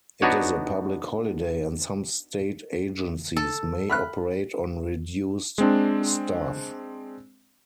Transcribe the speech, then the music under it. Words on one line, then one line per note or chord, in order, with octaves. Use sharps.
It is a public holiday and some state agencies may operate on reduced staff.
B3 D4 D#4 F#4 C#5
A4
B5 F6 F#6
G#3 C4 D4